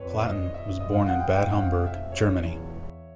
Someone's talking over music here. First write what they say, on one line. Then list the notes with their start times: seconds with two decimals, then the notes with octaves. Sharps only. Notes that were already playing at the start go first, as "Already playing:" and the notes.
Klatten was born in Bad Homburg, Germany.
Already playing: F2 B4 C#5
0.10 D5
0.28 D#5
0.54 E5
0.81 F#2 D#5
0.94 F5
1.06 F#5
1.20 G5
1.33 F2 G5
1.47 F#5
1.60 F5
1.86 E5
2.12 C#5
2.39 E2